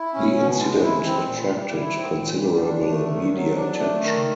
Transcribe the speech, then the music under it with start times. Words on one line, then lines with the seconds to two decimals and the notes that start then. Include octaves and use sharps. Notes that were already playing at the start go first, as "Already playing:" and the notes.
The incident attracted considerable media attention.
Already playing: E4
0.14 C#4
0.38 B2
0.60 G#3
0.83 E4
1.05 C4
1.28 A#2
1.51 G3
1.74 E4
1.97 C4
2.19 A#2
2.42 G3
2.65 D4
2.88 A3
3.10 D#3
3.34 F#3
3.56 D4
3.79 A3
4.02 D#3